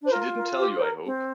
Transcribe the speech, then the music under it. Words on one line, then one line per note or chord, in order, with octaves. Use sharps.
She didn't tell you, I hope?
D4 C5
F4 A#4
A#4
G4
C5
A#4
C4